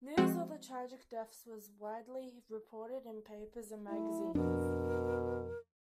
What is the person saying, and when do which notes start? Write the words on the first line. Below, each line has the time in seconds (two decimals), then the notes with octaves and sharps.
News of the tragic deaths was widely reported in papers and magazines.
0.17 F3 G#3 C4 F#4
3.89 A3 E4
4.35 F2 B2 D4 A#4